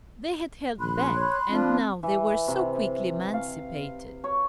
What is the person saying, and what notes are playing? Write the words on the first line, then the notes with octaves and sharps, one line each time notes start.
They had held back and now they were so quickly emancipated!
A#1 B5 C6 F#6
C#5
F3 C4 D4 F4
E3
C3
F5
C#5